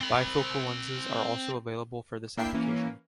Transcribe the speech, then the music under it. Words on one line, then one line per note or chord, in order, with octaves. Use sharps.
Bifocal lenses are also available for this application.
C4 B5
A#3 D4 E4 E5 G5 C7
E3 A#3 C#4